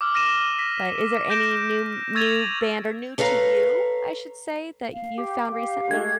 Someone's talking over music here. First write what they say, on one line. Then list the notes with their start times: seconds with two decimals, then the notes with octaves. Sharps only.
but is there any new new band, or new to you, I should say, that you've found recently?
0.01 D6 E6 F6
0.14 F6 A#6 D#7 E7
0.59 A#6 B6
1.30 G6 A#6 D7 E7
2.15 C#6 E6 G#6 A6 D#7 F7
3.18 A4 B4 C#5 F5 A#5
4.93 F5
5.18 G4
5.51 F5
5.91 G#3 A3 G#6